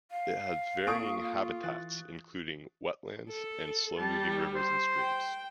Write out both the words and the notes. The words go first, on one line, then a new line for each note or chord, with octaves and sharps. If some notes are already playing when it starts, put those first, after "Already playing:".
It has varying habitats including wetlands and slow-moving rivers and streams.
F5
A#3 F4 A4 C#6 D#6 D7
E3 F#6 A6
A4
G3 A5
C5
G5